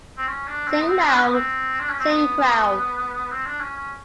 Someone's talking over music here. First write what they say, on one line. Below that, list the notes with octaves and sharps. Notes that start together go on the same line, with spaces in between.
Sing Loud, Sing Proud!
C4
C#4
D4
C4
B3
C4
D4
C#4
B3
C4
D4
C#4
C4
B3
C4
D4
C#4
C#4